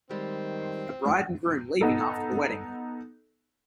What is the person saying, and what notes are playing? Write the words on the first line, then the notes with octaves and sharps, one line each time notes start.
A bride and groom leaving after the wedding.
D#3 G3 G#3 C4
B3 D#4 A4